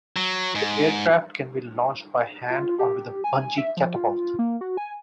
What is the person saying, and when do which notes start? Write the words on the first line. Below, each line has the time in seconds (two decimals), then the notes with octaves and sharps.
The aircraft can be launched by hand or with a bungee catapult.
0.16 F#3
0.55 G#2
2.50 F4
2.79 G4
3.24 G#5
3.58 E5
3.77 F3
3.96 F4
4.39 A#3
4.61 F#4
4.77 G#5